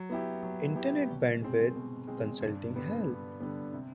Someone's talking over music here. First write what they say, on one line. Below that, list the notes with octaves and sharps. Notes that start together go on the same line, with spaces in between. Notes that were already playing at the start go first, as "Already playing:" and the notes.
Internet bandwidth, consulting help.
Already playing: F#3
B3 E4 G4
F#3
B3 E4 G4
B2
G#3 C4
B2
G#3 C4
G2
D3 G3 B3
G2
D3 G3 B3
C3